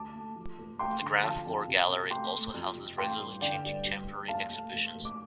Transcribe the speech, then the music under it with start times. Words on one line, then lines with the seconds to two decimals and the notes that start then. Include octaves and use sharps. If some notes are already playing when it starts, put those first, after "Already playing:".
The Ground floor gallery also houses regularly changing temporary exhibitions.
Already playing: D2 A5 D6
0.15 A3
0.36 F3
0.58 F1
0.79 A3 G5 C6
1.02 D3
1.23 F3 F5 A5
1.46 F2
1.68 C3
1.89 C3
2.10 A3 G5 C6
2.32 A3
2.54 F2
2.76 C3
2.98 A1 G5 C6
3.19 G2
3.41 D3 D5 G5
3.64 G2
3.85 G2
4.07 G2
4.28 F1 F5 A5
4.50 A3
4.73 F1
4.95 F1
5.05 D6